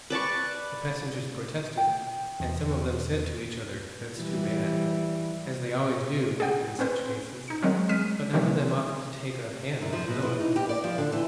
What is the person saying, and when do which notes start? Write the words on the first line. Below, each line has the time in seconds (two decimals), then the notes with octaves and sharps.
The passengers protested, and some of them said to each other, "That's too bad," as they always do in such cases, but none of them offered to take a hand with Philip.
0.10 B4 D5 A5 C#6
1.78 G5
2.40 E2
4.17 E3 G3
6.40 G#4 D5 F#5 G5
6.79 C4 C#4 B4 C5
7.48 D#4 C#7
7.62 D#3 F#3 G#3 C4 C#4
7.89 G#3 F6 B6 D#7
8.33 C3 E3 F3 G3 A#3 C#4
9.81 F#2
9.93 F3
10.09 B2
10.22 E3
10.41 D#4
10.56 G4
10.69 D5
10.84 F3
10.98 D3
11.12 E3